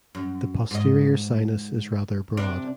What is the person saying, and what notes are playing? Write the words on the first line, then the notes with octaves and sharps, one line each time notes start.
The posterior sinus is rather broad.
F#2
G#2 D#5
C3 D4